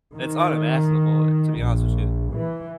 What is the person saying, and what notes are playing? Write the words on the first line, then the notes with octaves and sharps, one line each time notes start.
it's unimaginable, to be honest with you.
D#3
A#1
E3